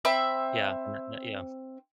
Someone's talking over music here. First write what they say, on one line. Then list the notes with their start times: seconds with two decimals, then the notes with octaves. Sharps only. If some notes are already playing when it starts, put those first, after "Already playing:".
yeah, and that that yeah.
0.05 C4 E5 B5